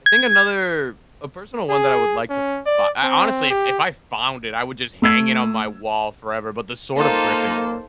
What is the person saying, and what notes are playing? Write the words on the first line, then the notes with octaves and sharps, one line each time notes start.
I think another A personal one that I would like to bu I honestly, if if I found it, I would just hang it on my wall forever, but the sword of Gryffindor,
G#6
G#4
C#4
D5
C4
G4
A3 E6 G#6
A#3 D#4 F4 A4 C5